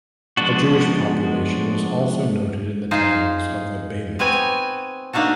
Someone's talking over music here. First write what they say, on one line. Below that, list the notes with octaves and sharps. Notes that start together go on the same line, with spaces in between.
A Jewish population was also noted in the towns of the Beylik.
F3 G#3 B3 D4 F#4
D#4 F4 G#4 C5
B3 C4 B4 C#5 G#5
A#3 D4 D#4 F#4 A4